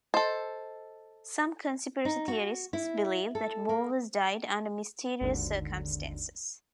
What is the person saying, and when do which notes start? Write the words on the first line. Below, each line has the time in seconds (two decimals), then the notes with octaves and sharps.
Some Conspiracy theorists believe that Bowers died under "mysterious circumstances".
0.14 A4 C5 D#5
2.05 D#4
2.28 F#4
2.73 E4
3.35 A4
3.69 A#3
5.21 G#1 D#2 D3